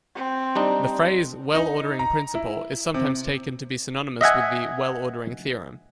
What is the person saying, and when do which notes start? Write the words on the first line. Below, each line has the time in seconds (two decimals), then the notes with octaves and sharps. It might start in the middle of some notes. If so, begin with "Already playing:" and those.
The phrase "well-ordering principle" is sometimes taken to be synonymous with the "well-ordering theorem".
0.15 C4
0.55 G3 D4 D#4
1.55 D#4
1.99 A#5
2.35 E4
2.94 C3
4.21 D#5 E5 F#5 G#5